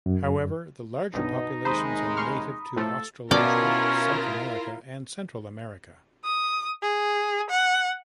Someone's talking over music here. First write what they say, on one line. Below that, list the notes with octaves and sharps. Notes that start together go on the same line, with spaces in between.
However, the larger populations are native to Australasia, South America, and Central America.
F#2
B1 G2 B2 D#4 D#5
D#2 C3 G#3 C5 A#5 B5 D#6
C6 C#6 F6
A2 F3 A3 A4
B2 C#4 E4 F4 A#4 D5
D#6
G#4
F#5